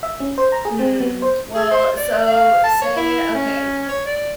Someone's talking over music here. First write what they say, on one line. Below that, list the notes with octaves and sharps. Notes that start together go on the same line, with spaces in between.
Hmm. well, so say okay,
E5
C#4
C5
A#5
G#4
C4
B3
C5
G#4
C5
D5
F5
A5
C#5
E4
C#4
C#5
D5